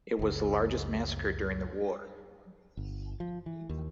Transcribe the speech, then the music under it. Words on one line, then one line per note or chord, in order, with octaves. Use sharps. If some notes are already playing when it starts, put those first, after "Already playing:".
It was the largest massacre during the war.
F#1 C#2
G1
F3
E3
D#2